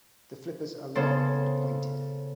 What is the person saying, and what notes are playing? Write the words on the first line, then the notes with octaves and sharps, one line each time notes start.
The flippers are long and pointed.
C#3 B3 A4 C5